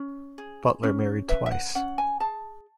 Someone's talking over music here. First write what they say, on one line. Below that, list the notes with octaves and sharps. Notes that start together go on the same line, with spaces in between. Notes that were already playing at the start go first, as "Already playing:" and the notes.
Butler married twice.
Already playing: C#4
G#4
C#4
B4 E5
E5
F#5
C#4 F#5
G#5
G#4 A5